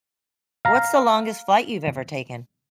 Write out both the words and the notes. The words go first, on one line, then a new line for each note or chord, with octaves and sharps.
What's the longest flight you've ever taken?
F5 A#5